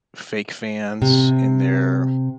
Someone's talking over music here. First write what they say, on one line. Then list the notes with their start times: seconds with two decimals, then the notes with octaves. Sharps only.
fake fans in their
1.02 C3